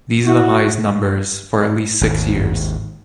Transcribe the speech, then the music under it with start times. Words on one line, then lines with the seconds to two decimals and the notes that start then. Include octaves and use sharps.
These are the highest numbers for at least six years.
0.25 E4 F#4
2.01 G#1 D#2 G#2